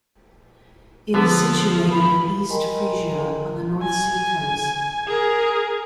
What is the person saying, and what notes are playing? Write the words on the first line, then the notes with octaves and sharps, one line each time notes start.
It is situated in East Frisia, on the North Sea coast.
D3 F3 B3
B5
A#4 D#5 G5 G#5 A#5 C6
G#5
G#4 A#4